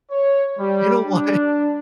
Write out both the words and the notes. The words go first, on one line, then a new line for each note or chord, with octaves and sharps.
You know what?
C#5
G3
D4